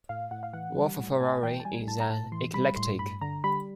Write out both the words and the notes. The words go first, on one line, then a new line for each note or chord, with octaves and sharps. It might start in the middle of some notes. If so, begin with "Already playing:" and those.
Wolf-Ferrari is an eclectic.
A2 F5
A2 F#5
F5
E3 F#5
G3
A2
A2 G#5
E3 G5
A5
G3 G#5
A2 A5
A#5
A2 A5
E3 C6
G3 B5
A2 C6
G2 B5
D3 A#5
G3 B5